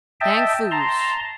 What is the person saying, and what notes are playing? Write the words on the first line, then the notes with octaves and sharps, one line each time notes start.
Chang Foo's!
D#5 E5 G5 A5
A5 A#5 C6